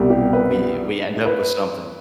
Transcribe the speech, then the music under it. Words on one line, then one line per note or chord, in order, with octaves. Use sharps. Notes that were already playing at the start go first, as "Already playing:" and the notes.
we we end up with something.
Already playing: C2 B2 G3
G4
B4
B4